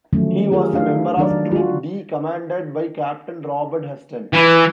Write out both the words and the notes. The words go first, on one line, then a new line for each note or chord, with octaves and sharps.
He was a member of Troop D commanded by Captain Robert Huston.
D3 D#3 F3 F#3 A3 C#4
F4 G4 G#4 A#4
A3 D4 F5
D#3 F#3 D4 D#4 A#4 D5
D#3
F4 F#4
E3